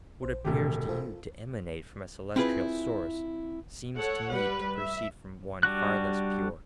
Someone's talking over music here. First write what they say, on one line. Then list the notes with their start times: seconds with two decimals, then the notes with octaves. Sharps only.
What appears to you to emanate from a celestial source, seems to me to proceed from one far less pure.
0.23 A#1 C5
0.45 E1 A2 C3 D#3 A3 G4
0.89 F4 A4 C5
2.36 C4 E4 F4 G#4 B4
3.97 A4 C#5 F#5
4.35 G3 B4
4.77 E5
5.63 G3 D4 F#4 F#6